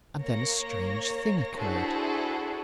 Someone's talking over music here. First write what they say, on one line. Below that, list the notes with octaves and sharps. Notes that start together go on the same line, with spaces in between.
And then a strange thing occurred.
A#3 C#5 A#6
D4 E4 F#4 G#4 A4 C5